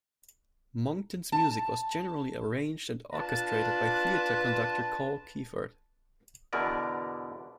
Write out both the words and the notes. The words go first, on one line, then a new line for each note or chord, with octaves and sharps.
Monckton's music was generally arranged and orchestrated by theatre conductor Carl Kiefert.
A5
D4 F4 B4 A5
E2 B2 D3 B3 A#4 D5